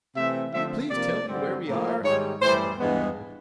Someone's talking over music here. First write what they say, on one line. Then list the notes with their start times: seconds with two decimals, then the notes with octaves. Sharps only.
"Will you please tell me where we are?" Gunnar demanded.
0.15 C3 E3 A3 C4 E5
0.53 D3 F3 A3 C4 E5
0.91 C3 F3 A#3 D5
1.29 G2 D3 G3 C4
1.67 A2 F3 A#3
2.03 G#2 D#3 G3 C#5
2.41 A2 E3 G3 C5
2.79 G2 E3 G#3 B3